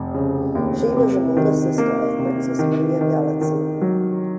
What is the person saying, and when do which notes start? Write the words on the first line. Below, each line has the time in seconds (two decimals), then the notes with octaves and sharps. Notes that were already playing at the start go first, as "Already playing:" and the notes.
She was an older sister of Princess Maria Galitzine.
Already playing: F1
0.14 C#3
0.55 D#2
0.97 C3
1.37 D#3
1.78 A#3
2.19 C3
2.59 D#3
3.01 D#3
3.41 D#3
3.82 F#3